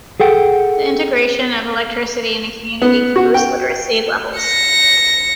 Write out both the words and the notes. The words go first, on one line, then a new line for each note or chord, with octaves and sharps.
The integration of electricity in a community can boost literacy levels.
G#4 A4 F#5 G5
B3
F#4
G5
A#6 C#7